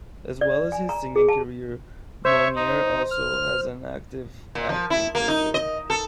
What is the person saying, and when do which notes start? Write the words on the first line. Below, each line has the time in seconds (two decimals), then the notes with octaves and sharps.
As well as his singing career, Mounir also has an active acting career.
0.41 D5
0.72 G#5
0.89 A#5
1.16 G#4
1.29 A5
2.25 C5 C#5 E5
2.55 D#4
3.11 F6
4.55 A#2
4.69 F3
4.90 E4
5.15 A#3
5.28 D#4
5.54 D#5
5.90 A4